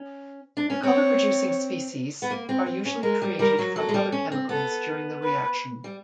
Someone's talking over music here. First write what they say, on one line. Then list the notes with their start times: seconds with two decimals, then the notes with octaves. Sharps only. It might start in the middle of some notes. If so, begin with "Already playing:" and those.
The color-producing species are usually created from other chemicals during the reaction.
Already playing: C#4
0.57 D4
0.70 C#4
0.83 C4 C#5
2.22 B3
2.30 A#3
2.49 C4
2.66 C4
2.85 C#4
3.02 G#3 A#4
3.22 G3
3.39 G3 A#4
3.59 F#3
3.76 F#3 A4
3.89 G#3
3.94 G3
4.12 C#4
4.32 C4
4.49 B3 A4
5.23 B4
5.84 G3